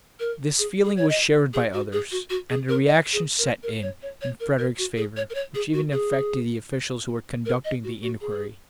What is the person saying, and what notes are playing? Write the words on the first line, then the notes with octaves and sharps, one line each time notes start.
This feeling was shared by others, and a reaction set in in Frederick's favour, which even affected the officials who were conducting the inquiry.
A#4
G#4
G#4
C#5
D#5
G#4
F#4
G#4
F#4
F#4
G#4
A#4
D#5
G#4
A#4
A#4
C#5
C#5
C#5
A#4
A#4
F#4
G#4
C#5
A#4
C#5
G#4
F#4
G#4
A#4
D#5
F#4
F#4
G#4